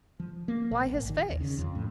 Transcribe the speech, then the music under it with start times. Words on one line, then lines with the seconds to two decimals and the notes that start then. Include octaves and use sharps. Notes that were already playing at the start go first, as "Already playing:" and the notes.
"Why his face?"
0.20 F3
0.48 A#3
0.71 A#1
0.94 G#1
1.09 D#3
1.29 D#2
1.41 C#3
1.58 F2
1.75 A2